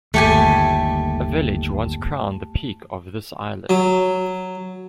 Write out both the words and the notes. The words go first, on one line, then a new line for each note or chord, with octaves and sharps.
A village once crowned the peak of this island.
G1 D#2 A3 G4 G#5
F#3